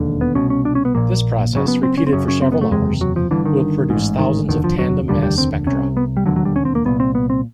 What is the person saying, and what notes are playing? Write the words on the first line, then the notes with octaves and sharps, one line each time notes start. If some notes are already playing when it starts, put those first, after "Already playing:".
This process, repeated for several hours, will produce thousands of tandem mass spectra.
Already playing: E1 D#2 D3
B3
C2 B2 C#4
C#4
D4
C#4
B3
A#1 A#2 A#3
F#1 F#2 C#3
B3
C4
C#4
C4
F#1 F#2 C#3 C#4
C#4
C4
B3
A3
F#1 E2 C3 G#3
F#3
F3
G1 G2 D3 E3
D#3
A1 G#2
D#3
F1 D#2 D3 D#3
F3
F#3
F1 D#2 D3 G3
G3
C4
C2 C3 C#4
B3
G3
E1 D#2 D3 F#3
F#3
G3
C#4
C4
A#3
C2 A#2 B3
C4
B3
C4